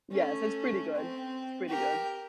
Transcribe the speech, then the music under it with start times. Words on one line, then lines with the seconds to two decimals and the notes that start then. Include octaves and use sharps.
Yes, so, it's pretty good. It's pretty good.
0.12 A3 C#4
0.95 C4
1.68 G4 A#4